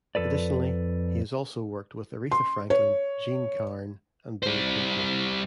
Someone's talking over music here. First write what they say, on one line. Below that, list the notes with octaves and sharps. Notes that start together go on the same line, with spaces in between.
Additionally, he also worked with Aretha Franklin, Jean Carn, and Bill Pinkney.
F2 A4 B4 D5
C6
C#5
G3 C5